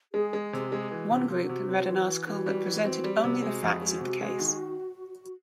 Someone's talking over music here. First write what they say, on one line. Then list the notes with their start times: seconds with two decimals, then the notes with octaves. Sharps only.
One group read an article that presented only the facts of the case.
0.14 G#3 G#4
0.33 G#3
0.40 G#4
0.53 C3
0.65 G4
0.72 G#3
0.91 E3 F#4
1.11 C3
1.17 F4
1.30 C3
1.43 F#4
1.49 C3
1.68 C4 G4
1.78 F#4
1.88 E3 F4
1.98 F#4
2.08 E3
2.27 E3
2.46 G3
2.66 E3
2.85 C4
3.04 G3
3.16 G4
3.24 C3 F#4
3.43 G#3
3.62 F2
3.82 G#3
4.01 C3
4.21 G#3
4.40 D#3